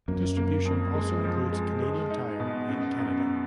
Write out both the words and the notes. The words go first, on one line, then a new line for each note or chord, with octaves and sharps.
Distribution also includes Canadian Tire in Canada.
F#2 A#3
A#3
F2
G#3
F3
G#3
G#3
D#4
B2
F#2
F#2